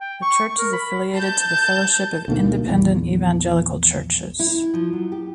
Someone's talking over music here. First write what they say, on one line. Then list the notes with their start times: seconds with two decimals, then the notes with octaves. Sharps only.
The church is affiliated to the Fellowship of Independent Evangelical Churches.
0.01 G5
0.22 C#6
0.58 A#4
0.73 B5
1.12 A5 G6
2.28 D2 B2 D#3 A#3
2.67 A#1 E2
4.39 E4
4.74 F3
4.93 F#3
5.12 G4